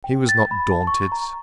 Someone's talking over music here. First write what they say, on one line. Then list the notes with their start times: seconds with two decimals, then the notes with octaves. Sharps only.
He was not daunted.
0.04 G5
0.29 A6
0.51 B5
0.72 A5
0.87 C#6
1.12 A#5